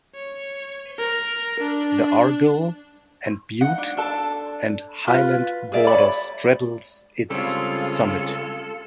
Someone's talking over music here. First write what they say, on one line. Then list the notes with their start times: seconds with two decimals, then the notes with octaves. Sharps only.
The Argyll and Bute and Highland border straddles its summit.
0.15 C#5
0.98 A#4
1.60 D4
3.61 D#4 F#5
3.78 D4
3.97 D4 A4 A5
5.07 F4 B4
5.72 G#4 D5 E5
5.87 C#5 D5 B5
7.30 C#3 G3 G#3 C4 F4 A4